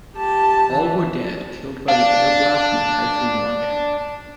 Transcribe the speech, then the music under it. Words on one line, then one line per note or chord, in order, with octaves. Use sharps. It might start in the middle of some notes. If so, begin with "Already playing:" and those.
All were dead, killed by the air blast from a Typhoon rocket.
G4 A5
E3
D4 F5